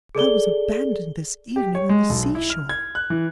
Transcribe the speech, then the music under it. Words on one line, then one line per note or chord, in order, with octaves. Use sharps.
"I was abandoned this evening on the sea-shore."
G#4 A4 D5 G7
G4
C#5
G#3
B1
E4
F6
G#6
F#6
E3